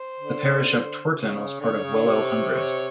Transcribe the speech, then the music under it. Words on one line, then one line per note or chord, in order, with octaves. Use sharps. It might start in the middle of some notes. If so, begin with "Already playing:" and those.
The parish of Twerton was part of the Wellow Hundred.
Already playing: C5
D3
C#3
D3 C#5
D3
C#3
D3
C3
C#5